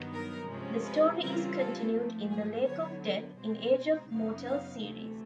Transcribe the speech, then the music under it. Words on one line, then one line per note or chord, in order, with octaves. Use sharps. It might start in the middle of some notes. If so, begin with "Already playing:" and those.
The story is continued in "The Lake of Death" in Age of Mortals series.
Already playing: G2 D#3 F#3 B3 D#4
A#4
C3 F3 G#3 C#4
B4
C#3 E3 G3 C4 F4 A#4
A4
G#2 F3 A3
G#4
D3 F#3 B3 C#5
B2 G#3 C4 C5
F#2 C#3 F#3 B3 D#4 F5
F5
D2 C3 E3 A3